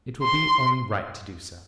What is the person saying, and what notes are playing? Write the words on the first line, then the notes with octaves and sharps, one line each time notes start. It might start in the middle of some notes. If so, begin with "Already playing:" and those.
"It will be only right to do so."
C6